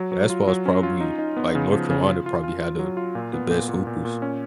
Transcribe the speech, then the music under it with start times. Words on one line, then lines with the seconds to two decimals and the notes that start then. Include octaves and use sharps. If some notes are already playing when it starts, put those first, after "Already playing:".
basketball is probably like, North Carolina probably had the the best hoopers.
Already playing: F#3
0.12 F#3
0.30 F4
0.47 F#3
0.66 C#4
0.83 F4
1.01 D#4
1.18 D#4
1.37 B3
1.55 C#3
1.73 F3
1.90 C#3
2.08 F4
2.26 F4
2.43 F4
2.61 F4
2.79 F#3
2.97 F4
3.15 A#2
3.33 B3
3.51 A#2
3.69 A#2
3.87 A#2
4.05 A#2
4.22 C#4